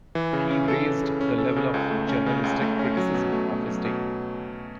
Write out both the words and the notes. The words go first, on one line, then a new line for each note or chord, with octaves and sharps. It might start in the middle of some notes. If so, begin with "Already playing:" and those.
He raised the level of journalistic criticism of his day.
E3
C#3
C#4
A4
E3
C#3
C#4
A4
C#3
C#2
A3
C#4
C#3
C#2
A3
C#4
F#3
B2
A3
B2
F#3
B2